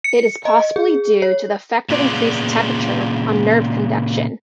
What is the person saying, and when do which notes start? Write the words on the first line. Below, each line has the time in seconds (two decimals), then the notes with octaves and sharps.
It is possibly due to the effect of increased temperature on nerve conduction.
0.04 C#7
0.45 D#5
0.76 G#4
1.22 C#5
1.89 A#2 C#3 B3 F4 G#4 D5